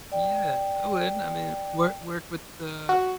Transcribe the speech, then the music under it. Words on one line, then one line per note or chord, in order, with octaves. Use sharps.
yeah, I would. I mean, wor work with the
D5 G5
F#4